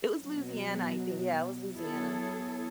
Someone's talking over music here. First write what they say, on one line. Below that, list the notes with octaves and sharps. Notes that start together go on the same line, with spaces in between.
It was Louisiana, I think yeah, it was Louisiana.
B2 F#3
F#3 B3 E4 G#4 A4 C#5